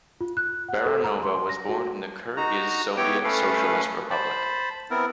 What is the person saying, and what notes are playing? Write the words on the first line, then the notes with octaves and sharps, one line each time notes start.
Baranova was born in the Kirghiz Soviet Socialist Republic.
F4
F#6
F#5
A4
A#5
C6
A#6
F#4
D#4 F#4 A#5
B3 E4 G4 C#5 G5 D6
A3 C#4 A4 B4 F5
C5 A5 B5
B3 C4 E4 A#4